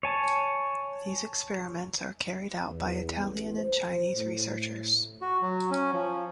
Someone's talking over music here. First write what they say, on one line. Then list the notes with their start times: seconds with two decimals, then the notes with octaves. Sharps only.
These experiments are carried out by Italian and Chinese researchers.
0.03 C#5 G#5 A5
2.67 E2
3.19 A1
3.57 C5
4.14 A2
5.21 F#4
5.42 F#3
5.71 C#4
5.93 F3